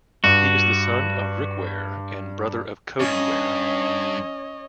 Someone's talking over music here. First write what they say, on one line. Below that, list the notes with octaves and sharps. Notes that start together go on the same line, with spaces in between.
He is the son of Rick Ware and brother of Cody Ware.
G2 F#4
G2 C#4 C#5 D#5